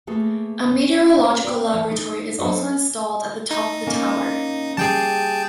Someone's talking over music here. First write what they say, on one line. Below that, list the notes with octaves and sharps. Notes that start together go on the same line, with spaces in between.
A meteorological laboratory is also installed at the top of the tower.
A3 A#3 G#4 B4
C#4
C4 A#4 B4 D5
E3
D#4
F#3 D4 A4 C5 D#5
D#4
A#3 C#4
G3 G#4 G5 A5 C7